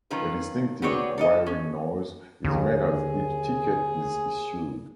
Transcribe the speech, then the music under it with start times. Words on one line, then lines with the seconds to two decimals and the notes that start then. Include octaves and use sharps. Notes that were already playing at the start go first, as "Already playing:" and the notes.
A distinctive whirring noise is made as each ticket is issued.
0.11 D#3 F#3 C#4 F4 B4
0.82 B3 C4 F#4 G#4 C#5 D5
1.18 A4 A#4 D#5
1.46 C#4
2.45 D#2 D3 G#4